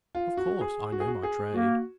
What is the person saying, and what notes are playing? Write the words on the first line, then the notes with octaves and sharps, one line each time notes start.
Of course I know my trade.
F4
F#4
G#4
F#4
G#4
F#4
G#4
A#3 F#4